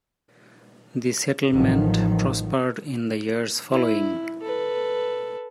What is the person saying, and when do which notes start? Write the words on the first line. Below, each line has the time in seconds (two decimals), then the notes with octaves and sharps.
The settlement prospered in the years following.
1.53 A1 D#3 F3 F#3
3.71 E4
4.42 A4 B4